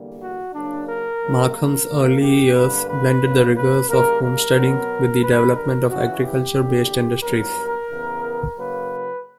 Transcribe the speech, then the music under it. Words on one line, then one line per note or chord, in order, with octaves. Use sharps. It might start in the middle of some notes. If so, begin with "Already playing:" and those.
Markham's early years blended the rigours of homesteading with the development of agriculture-based industries.
Already playing: E2 D3 G3 A#3
F#4
C#3 F#3 A#3 D4
A#4
C#3 F#3 A#3
A#4
E2 B2 A#3
G4
G2 D3 A#3 B4
B4
G2 F#3 A#3
B4
C#3 G3 A#3 A#4
A#4
B2 F#3 B3
G2 D3 G3 B4
A#4
E2 C#3 E3 F#4
G4
E2 D3 A#3
G2 F#3 B3 A#4
C#3 E3 B3
C#3 F#3 A#3 B4